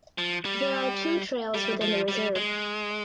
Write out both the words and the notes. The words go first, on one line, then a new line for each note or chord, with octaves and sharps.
There are two trails within the reserve.
F3
G3
G3
F3
G3
G#3